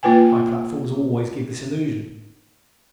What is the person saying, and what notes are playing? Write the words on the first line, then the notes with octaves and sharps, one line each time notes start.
High platforms always give this illusion.
A#3 F4 B4 G5 G#5